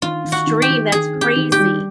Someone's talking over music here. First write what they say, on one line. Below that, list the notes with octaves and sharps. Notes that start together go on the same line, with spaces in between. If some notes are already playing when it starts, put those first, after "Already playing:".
stream, that's crazy.
D#3 F4
D#3
F#4
D#3
G4
D#3
D#3 G#4
C4
G4
D#3
G4
G3